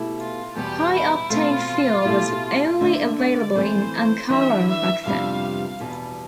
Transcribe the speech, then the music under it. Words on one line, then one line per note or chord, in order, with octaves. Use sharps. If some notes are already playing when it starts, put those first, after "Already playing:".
High octane fuel was only available in Ankara back then.
Already playing: B2 A3 E4 G4
F4
E2 B2 G3 B3 G4
E4
B2 A3 C4 F4
B2 A3 E4 G4
D3 A3 D4 E5
D5
E3 A3 C4 C5
E3 G3 D4 E5
E5
F2 C3 G3 B3 D4 F5
E2 B2 G3